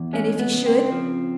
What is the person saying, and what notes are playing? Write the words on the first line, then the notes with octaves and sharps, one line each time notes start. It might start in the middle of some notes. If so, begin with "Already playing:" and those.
"And if he should?"
Already playing: E2
G#3 C#4
B3
C#3
C4
F3